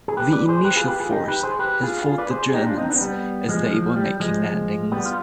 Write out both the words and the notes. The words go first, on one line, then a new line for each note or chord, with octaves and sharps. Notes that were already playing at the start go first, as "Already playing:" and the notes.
The initial force had fought the Germans as they were making landings.
G#4
G4 B4
B4 D5
G#4 C5
G4 B4
F4 G#4
G4 B4
F4 G#4
D#4 G4
G4 B4
G#4 C5
G4 B4
F4 G#4
F4 G#4
B4 D5
G#4 C5
G#4
D#4 G4
D4 F4
C4 D#4
B3 D4
C4
G3 B3
F3 G#3
F3
G3
F3 G#3
G3 B3
F4